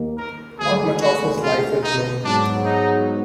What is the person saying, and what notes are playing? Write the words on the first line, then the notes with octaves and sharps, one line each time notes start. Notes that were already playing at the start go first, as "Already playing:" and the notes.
Not much of his life is known.
Already playing: D#2 D#3 A#3
A#4
D2 D3 G#3 B3 G#4
F#4
F4
D#4
G#2 F#3 B3 D4
D#4